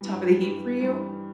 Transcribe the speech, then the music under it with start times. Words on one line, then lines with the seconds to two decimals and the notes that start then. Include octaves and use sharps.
top of the heap for you?
0.01 G2 E3 G3
0.41 G2 E3 G3
0.80 G2 E3 G3